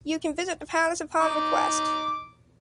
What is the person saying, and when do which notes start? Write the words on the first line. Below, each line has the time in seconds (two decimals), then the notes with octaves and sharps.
You can visit the palace upon request.
1.21 D#4 D6